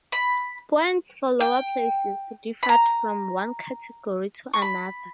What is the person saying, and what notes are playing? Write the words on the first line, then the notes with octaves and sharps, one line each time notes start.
Points for lower places differed from one category to another.
B5
G5
B5
A#5
C#6
B5